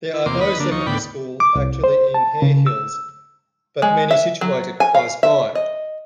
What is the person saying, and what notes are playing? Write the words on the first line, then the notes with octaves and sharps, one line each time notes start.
There are no secondary schools actually in Harehills but many situated close by.
E4
E2 C3 A#3 C6 D6
D#2 B4 D#5 B5
D3 A#3 D4
D#2 F3 D#4 C#6
D2 A2 B3 D5 G5 B5
D6
C2
C5
A5
C#3
E6
G#3
E5
F#3
G#5
F5
E5
D#5